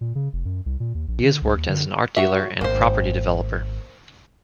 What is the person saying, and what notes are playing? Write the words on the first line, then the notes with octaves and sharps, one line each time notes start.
He has worked as an art dealer and property developer.
A#2
C#3
F1
F#2
C2
A#2
D#2
A#1
D3
C2
D#2
D3
F#4 E5
G#1 A#3 C5